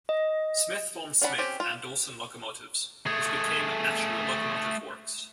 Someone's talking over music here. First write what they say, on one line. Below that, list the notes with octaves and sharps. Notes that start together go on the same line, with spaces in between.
Smith formed Smith and Dawson Locomotives, which became National Locomotive Works.
D#5
C#4 D4 D5 F#5 B5
C4 C#4 G4
F4
A3 G#4